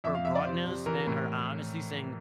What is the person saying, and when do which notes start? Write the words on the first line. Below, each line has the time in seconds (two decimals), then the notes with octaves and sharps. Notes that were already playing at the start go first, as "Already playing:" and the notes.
her bluntness and her honesty saying,
0.04 F2 E5
0.15 F5
0.25 F2 E5
0.35 D5
0.45 C3 C5
0.66 C3
0.86 E3 A#4
1.07 A2